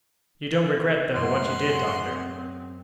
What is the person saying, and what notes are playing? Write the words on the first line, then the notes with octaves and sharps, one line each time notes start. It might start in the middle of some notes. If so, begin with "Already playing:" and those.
"You don't regret, though, what you did, doctor?"
F#2 G#3 A3 E4 F#5 C6 D#7
F#4 G#4 C5 C#5
C4 D#6 D#7